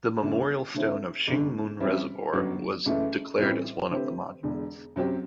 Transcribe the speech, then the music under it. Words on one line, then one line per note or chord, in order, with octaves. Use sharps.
The Memorial Stone of Shing Mun Reservoir was declared as one of the monuments.
G1 F#2 D3 A3
D3 A3 C4 E4
G1 F#2 D3
F#2 E3 G3 C4 E4
G1 F#2 F#3 B3
F#1 F#2 E3 A3
A1 A2 E3 G3 C4
D3 A3 C4 G4 B4
E1 E2 D3
F#2 F#3 C4 G4